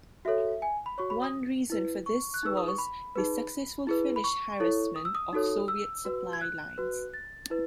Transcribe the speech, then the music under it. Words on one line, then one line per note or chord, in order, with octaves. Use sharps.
One reason for this was the successful Finnish harassment of Soviet supply lines.
F#4 A4 C#5 E5
G#5
B5
F#4 C#5 C#6
B5
D#6
E4 B4
C#6
F#6
D#4 G#4 B4 E6
D#6
C#6
B5
D#4 G#4 B4
E4 G#4 B4
B5
C#6
E4 A4 C#5
D#6
E6
D#6
D#4 F#4 A4 C#5
E6
F#4 B4
G#6
F#6
F#4 B4
A6
E4 B4